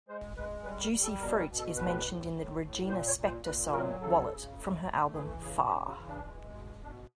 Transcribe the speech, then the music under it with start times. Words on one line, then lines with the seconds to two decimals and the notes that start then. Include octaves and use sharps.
Juicy Fruit is mentioned in the Regina Spektor song Wallet, from her album Far.
0.09 G#3 C5
0.36 G#3 B4
0.64 G3 B4
0.83 A#4
0.92 G3
1.02 A4
1.21 B2 A#4
1.39 A#4
1.48 B2
1.58 A4
1.77 A2 B4
2.05 A2
2.33 A2
2.61 A2
2.88 A#2 C5
3.07 C#5
3.17 A#2
3.27 C5
3.45 A#2 B4
3.73 F#3 A#4
4.01 C#3 A4
4.29 C#3
4.57 A3
4.85 A3
5.13 E3 G#4
5.41 C#3 G#4
5.69 C#3 G4
5.89 F#4
5.98 E3
6.07 D4
6.26 G#3
6.54 B2
6.82 B2 D4